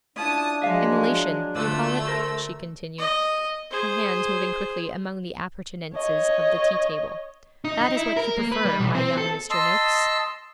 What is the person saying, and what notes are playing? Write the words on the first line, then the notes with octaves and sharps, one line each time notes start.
Immolation, you call it?' she continued, her hands moving quickly among the appurtenances of the tea-table. 'That is what you prefer, my young Mr. Noakes.'
C#4 D4 E4 F4 A5 D#6
F3 F#3 G#3 E5 F5
D2 A3 F4 B4 D5 E6
A#4 C5
D#5
G#4 C5
C#5 D#5
D#4
D#4
E4
A#4
A#3
B4
G3
B1
C4
A4
D#5 A5 C6 E6